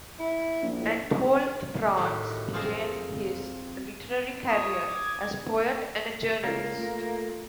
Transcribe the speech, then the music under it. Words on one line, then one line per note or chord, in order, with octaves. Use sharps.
Anatole France began his literary career as a poet and a journalist.
E4
A#1
A2
A2 D#3 F#4 G4
F2 C4 F4 G#4 A#4 C5
F4 C#5 D#6
D6 G#6
C#2 A#3 A4
A3 F4